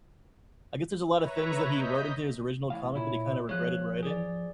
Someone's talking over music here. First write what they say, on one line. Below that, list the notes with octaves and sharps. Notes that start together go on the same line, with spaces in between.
I guess there's a lot of things that he wrote into his original comic that he kind of regretted writing.
B4 C#5 E5 A#5
D#5 G6 B6
A2 E3 F5
A#2 E4 C#5
G#2 F3 G#3 C#5 F#6
G#4 D5